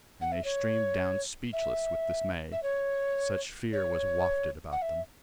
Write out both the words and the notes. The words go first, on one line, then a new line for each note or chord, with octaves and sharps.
And they streamed down speechless with dismay; such fear was wafted about them.
F#5
E5
C#5
E5
E5
C#5
C#5
F#5
E5